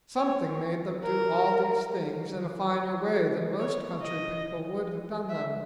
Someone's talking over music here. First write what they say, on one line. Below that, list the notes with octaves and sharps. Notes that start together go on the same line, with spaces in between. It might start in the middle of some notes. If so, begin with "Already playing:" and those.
Something made them do all these things in a finer way than most country people would have done them.
C#5
A#4
C#5
D#5
E5